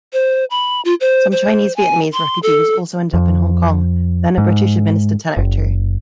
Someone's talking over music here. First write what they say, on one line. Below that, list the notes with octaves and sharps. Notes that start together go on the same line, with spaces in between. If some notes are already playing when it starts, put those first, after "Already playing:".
Some Chinese Vietnamese refugees also ended up in Hong Kong, then a British-administered territory.
C5
B5
F4
C5
C5
G#5
C6
A4
F2
G#2
F#1